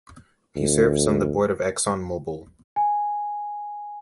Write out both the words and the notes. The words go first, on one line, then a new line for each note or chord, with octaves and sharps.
He serves on the board of ExxonMobil.
D2
G#5